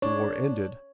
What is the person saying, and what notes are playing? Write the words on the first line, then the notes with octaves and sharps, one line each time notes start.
The war ended.
D4 C#5